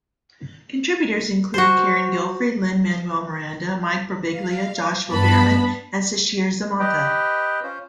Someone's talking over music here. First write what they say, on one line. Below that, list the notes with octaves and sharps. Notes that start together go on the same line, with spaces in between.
Contributors included Carin Gilfry, Lin-Manuel Miranda, Mike Birbiglia, Joshua Bearman, and Sasheer Zamata.
F#4 C5
F5
G2 B3 A5 B5
G4 B4 D#5 G5
C#4 F4 C5